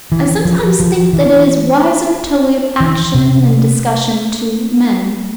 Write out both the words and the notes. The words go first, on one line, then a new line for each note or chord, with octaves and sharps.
"I sometimes think that it is wiser to leave action and discussion to men."
E3
F3
F3
E3
E3
C3